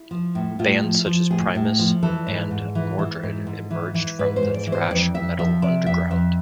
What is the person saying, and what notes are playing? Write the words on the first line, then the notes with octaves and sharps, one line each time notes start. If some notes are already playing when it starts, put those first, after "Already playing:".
Bands such as Primus and Mordred emerged from the thrash metal underground.
Already playing: E4
F3
A2
A2 F4
F3
F3
A2 G#4
A2
F3
E3 A4
G#2
G#2
E3
E3
G#2
G#2
E3
E3
G#2 B4
C5
G#2
D5
E3
C5
F2 D5
F2 E5
F3 E5
C3 D5
F2 E5
F2 E5